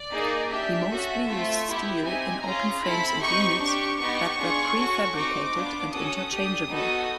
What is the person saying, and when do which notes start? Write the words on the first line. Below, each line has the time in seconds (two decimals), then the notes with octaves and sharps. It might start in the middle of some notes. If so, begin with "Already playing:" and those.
He mostly used steel in open frames and units that were prefabricated and interchangeable.
Already playing: D5
0.11 A#3 D#4 G#4
0.49 D4 G4 E5
0.88 C#4 F#4 A4
1.28 A3 C4 F4 A4
1.66 B3 E4 G4
2.04 C4 D#4 G4 G#5
2.43 C#4 F4 G#4 A#5
2.82 C4 E4 A4 B5
3.20 C4 D#4 G4 C#6
3.59 D4 G4 C#6
3.98 B3 D#4 G4 C#6
4.38 D4 F4 G#4
4.75 C#4 F#4 A4
5.14 C4 D#4 F#4 D6
5.54 B3 D4 F4
5.93 C#4 F#4 A4 D#6
6.31 D4 G4
6.70 B3 D#4 F#4 A4